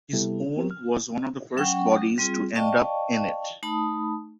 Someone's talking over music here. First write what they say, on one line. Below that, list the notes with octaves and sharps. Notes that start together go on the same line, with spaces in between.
His own was one of the first bodies to end up in it.
C3 G3 B3 E4 G4 A4
B3 C4 G4 A#4
F6
F#3 C#4 F#5 G5 C#6
G3 C4 F4 G#4
D5 D#5 F5 G5 A5 C#6
A3 D#4 A5 B5 D#6